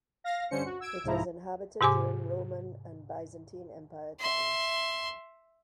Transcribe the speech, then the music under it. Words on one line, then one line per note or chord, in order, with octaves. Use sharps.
It was inhabited during Roman and Byzantine Empire times.
F5 A#6
G2 D3 C#4 C5 C#7
F#4
E6 G#6 D7
C2 G#2 F3 E4 A#5
G#2 C3 G4 G#5 D6
E5 C6